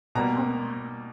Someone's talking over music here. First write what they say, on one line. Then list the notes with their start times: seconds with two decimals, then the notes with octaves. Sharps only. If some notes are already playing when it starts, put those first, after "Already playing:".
Oh, wow.
0.15 B2 G3 A#3 A#5